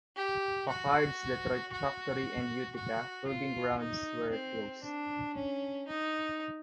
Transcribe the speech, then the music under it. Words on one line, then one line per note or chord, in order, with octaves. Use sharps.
Packard's Detroit factory and Utica proving grounds were closed.
G4
F#4
F#4
F#4
F4
D#4
C4
D4
C#4
D#4